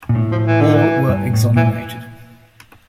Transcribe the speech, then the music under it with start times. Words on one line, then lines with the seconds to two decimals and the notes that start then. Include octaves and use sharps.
All were exonerated.
0.09 A#2
0.15 A2 D3
0.32 F3
0.47 E3
0.61 D3
0.75 E3
1.09 G2
1.33 A2
1.56 A#2 E3